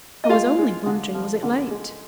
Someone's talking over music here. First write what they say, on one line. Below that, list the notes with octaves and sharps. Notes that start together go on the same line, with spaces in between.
I was only wondering was it late.
D#5
G#3 F4 F5
G#3
D3
F3
D3
G#3